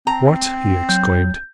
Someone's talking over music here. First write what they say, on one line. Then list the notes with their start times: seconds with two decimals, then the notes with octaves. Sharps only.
"What!" he exclaimed.
0.07 C4 A#5
0.89 F#3 G6